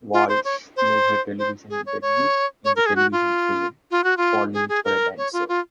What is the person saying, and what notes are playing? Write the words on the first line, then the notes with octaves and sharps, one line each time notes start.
Walsh made her television debut in the television film "Falling for a Dancer".
F4
C5
C#5
C5
C5
G#4
C#5
C#5
C#5
A#4
G#4
F#4
F4
F4
F#4
F4
G#4
G#4
A#4
C#5
F4
F4